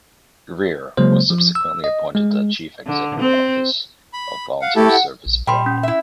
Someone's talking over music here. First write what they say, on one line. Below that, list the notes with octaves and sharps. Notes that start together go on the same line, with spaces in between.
Greer was subsequently appointed the chief executive office of Volunteer Service Abroad.
C#3 F#3 G#3 A#3 C5
F3
E6
D#5
G#3
D3
C4
B5
F5 F#5
A3 E4 G4 A4
F#5
A#1
A#2 G3 G5 B5 C6
C#4
E4 E5